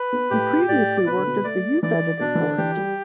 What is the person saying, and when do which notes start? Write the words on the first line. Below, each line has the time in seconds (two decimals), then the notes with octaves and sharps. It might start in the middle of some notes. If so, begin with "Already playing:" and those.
He previously worked as the youth editor for it!
Already playing: B4
0.12 B3
0.31 A2 G4
0.50 B2
0.69 A2 D5
1.07 B2 B4
1.16 D3
1.27 B2
1.44 A3 D5
1.83 E3 D5
2.20 B2 D4
2.35 E3
2.39 D3
2.58 E3 G4
2.77 G3